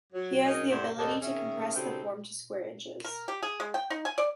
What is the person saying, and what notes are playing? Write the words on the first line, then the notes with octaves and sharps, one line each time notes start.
He has the ability to compress the form to square inches.
F#3
F#3 A#3 D#4 G#4 A#4 C#5
G2 A3 E4 C5 D5 F#5
D#2 G#2 D3 A4 D#5
D#3 C#4 G#4 A#4 E5
C#3 G3 C4 D#4 F#4 A4
A#4
G4
G#4
G#3
G5
D#4
G#5
D5